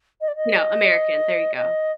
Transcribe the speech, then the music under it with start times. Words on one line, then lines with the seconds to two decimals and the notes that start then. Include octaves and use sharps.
you know, American. There you go.
0.21 D#5
0.28 D5
0.36 D#5
1.56 D#5